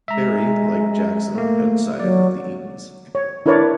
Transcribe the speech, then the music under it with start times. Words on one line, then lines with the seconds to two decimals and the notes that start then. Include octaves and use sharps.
Barry, like Jackson, had sided with the Eatons.
0.08 G#3 E5 A#5
1.35 A3 A#3
2.00 F#3 D5
3.15 C#5
3.46 D4 E4 A#4 B4 C#5 D5